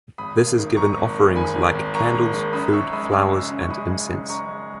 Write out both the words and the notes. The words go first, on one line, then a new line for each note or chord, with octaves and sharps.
This is given offerings like candles, food, flowers, and incense.
G#1 B5 D#6
A#3
D#3
G#2 A#5 C#6
G#1
A#3
D#3 G#5 B5
G#2
G#1
A#3 A#5 C#6
D#3
G#2
F#2 B5 D#6
F#2 C#6 E6
G#3 B5 D#6
C#3 C#6 E6
F#2
F#2
C#6
G#3 B5 D#6
C#3
F#2
F#2 A#5 C#6
G#3